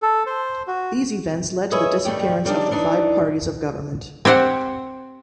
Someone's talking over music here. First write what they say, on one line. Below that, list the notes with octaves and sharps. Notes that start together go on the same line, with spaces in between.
These events led to the disappearance of the five parties of government.
A4
C5
F#4
G#4 B4 C#5 D#5 E5
G2 D#3 G3 A3 G4
C#3 G3 C4 D4 D#4
E3 D4 D#4
C4 G4 C5 F#5